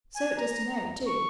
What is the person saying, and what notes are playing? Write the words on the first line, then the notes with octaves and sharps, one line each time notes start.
So it does to Mary, too.
G#5
A#5
C#6